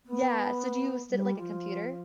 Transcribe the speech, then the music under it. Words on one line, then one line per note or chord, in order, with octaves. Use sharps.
Yeah. So do you sit at, like, a computer?
B3
G3
F3